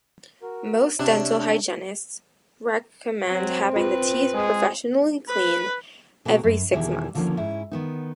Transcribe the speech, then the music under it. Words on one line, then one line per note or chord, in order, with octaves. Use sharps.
Most dental hygienists recommend having the teeth professionally cleaned every six months.
F#4 A#4
C3 D4 C#5 E5
F#3 C4
F4 B4
G#3 G#4
B4
B2 A#3 C4 E4 F#4 G4
F#2
E2 B2 D#3 G3 E4 G#4
D3 D#3 F3 G#3 A#3 C#4
G#2 C#4 E4
D#3 B3 D#4